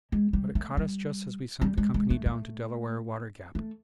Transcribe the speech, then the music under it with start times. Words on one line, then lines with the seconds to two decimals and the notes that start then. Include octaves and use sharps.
But it caught us just as we sent the company down to Delaware Water Gap.
0.12 G#3
0.33 G3
0.55 A3
0.77 G3
1.61 G3
1.78 G#3
1.94 G#3
2.10 A3
2.26 A3
3.55 A3